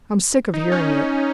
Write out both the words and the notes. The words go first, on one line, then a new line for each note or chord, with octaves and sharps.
I'm sick of hearing it.
D#4
C#4